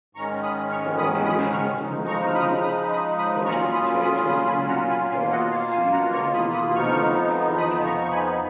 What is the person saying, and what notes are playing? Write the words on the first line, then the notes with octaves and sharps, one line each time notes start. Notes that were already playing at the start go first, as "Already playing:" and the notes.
Propagation is mostly vegetatively as seeds are usually not fertile.
G#2 D#3 G#3 C#4 A#5 C#6
B5 D#6
C#6 F6
B5 D#6
B5 D#6
C#6 F6
C#3 F3 G#3 D#4
A#5 C#6
F6
B5 D#6
F6
B5 D#6
B5 D#6
B5 D#6
A#2 F#3 C#4 F4 A#5 C#6
B5 D#6
B5 D#6
B5 D#6
G#5 B5
F#5 A#5
G#5 B5
B2 A#3 F4 F5 G#5
D#5 F#5
C#5 F5
F5 G#5
F#5 A#5
A#5 C#6
B5 D#6
B5 D#6
F2 F3 B3 D#4 C#6 F6
B5 D#6
A#5 C#6
C#6
G#5 B5